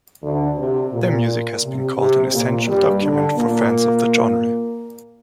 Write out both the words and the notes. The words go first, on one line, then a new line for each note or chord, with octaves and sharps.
Their music has been called an "essential document" for fans of the genre.
D2 D3
C3
A#2
C3
C3
A#2
G2 G3
D3 D4
A#2 A#3